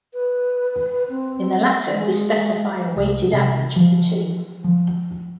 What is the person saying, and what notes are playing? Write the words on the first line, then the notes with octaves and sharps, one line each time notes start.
In the latter, we specify a weighted average of the two.
B4
C4
G#3
C2
C3
F3
F3